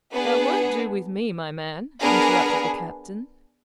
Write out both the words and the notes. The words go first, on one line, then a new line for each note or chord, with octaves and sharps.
"That won't do with me, my man," interrupted the captain.
B3 D4 G#4 B4
B3 D4 G#4 A#4